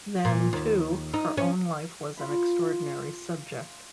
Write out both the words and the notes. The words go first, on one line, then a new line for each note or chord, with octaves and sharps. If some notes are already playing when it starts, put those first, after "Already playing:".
Then, too, her own life was an extraordinary subject.
A#2
D#2
D#4
C#4
F4 B5